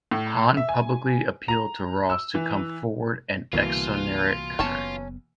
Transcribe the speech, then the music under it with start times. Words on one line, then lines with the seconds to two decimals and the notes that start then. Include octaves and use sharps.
Han publicly appealed to Ross to come forward and exonerate her.
0.11 A2
0.57 E5
0.69 G#5
1.48 A#5
2.10 E6
2.35 E3
3.53 C2 B2 D3 E3 A#3 F4
4.59 F#1 B3 C#4 C#5 A5